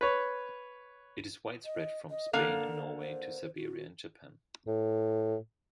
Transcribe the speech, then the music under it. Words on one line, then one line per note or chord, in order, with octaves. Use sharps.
It is widespread from Spain and Norway to Siberia and Japan.
B4 C#5
D#5
D#5
D3 A#3 A4 F5
C5
F#4
A2